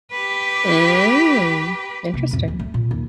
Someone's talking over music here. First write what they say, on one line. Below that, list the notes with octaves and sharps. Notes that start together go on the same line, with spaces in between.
Mm. Interesting.
G4 B4
C3 A#3
F2 A2
D#2
A3
A#2
D#2